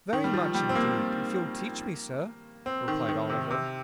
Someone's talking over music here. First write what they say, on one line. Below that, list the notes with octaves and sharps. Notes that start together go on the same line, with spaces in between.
'Very much, indeed, if you'll teach me, sir,' replied Oliver.
D#3
G3
F3
G3
C4
A#3
C4
D#3
D#3
C3
C3